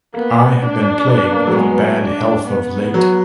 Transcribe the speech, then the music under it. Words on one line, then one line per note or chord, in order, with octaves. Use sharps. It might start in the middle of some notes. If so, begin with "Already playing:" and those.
I have been plagued with bad health of late.
A#3 B3
D4
B3
A#3
F#3
G#3 B3
D4
B3
F#3